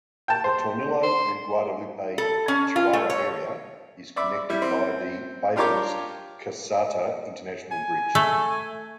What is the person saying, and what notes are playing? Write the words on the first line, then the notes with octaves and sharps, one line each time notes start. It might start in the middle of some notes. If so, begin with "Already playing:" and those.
The Tornillo and Guadalupe, Chihuahua, area is connected by the Fabens-Caseta International Bridge.
G5 A5
C5
C5
A4
C#4
F4
A3
C#5
D5 E5 B5 D6
G3 E4
C4
D4 F4 G4 A#4 C#5 D6
G#5
A3